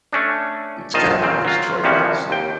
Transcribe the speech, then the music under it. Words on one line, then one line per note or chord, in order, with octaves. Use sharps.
Its capital is Choibalsan.
A3 C#4 D4
A#1 D#3 F4 D#5 A5
A#2 C#3 C4
F#3 F4
C2 C3 F3 G3 C#4 F#4
D#2 G5